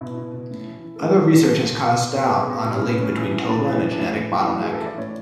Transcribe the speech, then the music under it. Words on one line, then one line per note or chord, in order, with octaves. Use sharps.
Other research has cast doubt on a link between Toba and a genetic bottleneck.
B2 E4
B2
B2
A2
E3
E3
A4
A2 G#4
E3
E3
B2
B2
B2
B2
B2
B2
G#4
B2 F#4
B2 E4
C#4
B2 B3
A2 C#4
E3
E3
A2 D4
E3
E3
D4
A2 E4
E3
E3 E4
A2 F#4
E3 G#4
A4
E3 D5 E5
A2 C#5